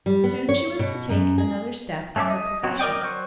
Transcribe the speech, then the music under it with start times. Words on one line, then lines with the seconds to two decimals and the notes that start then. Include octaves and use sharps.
Soon she was to take another step in her profession.
0.06 G3
0.24 B3
0.49 C#5
0.79 B2
1.09 F#2
1.38 G#4
2.16 A3 C#4 A4 E5 D6
2.30 D#5
2.64 F#3 C4 F#4
2.79 A#4 D5 D#5 G5
3.02 F#3 C5 C#6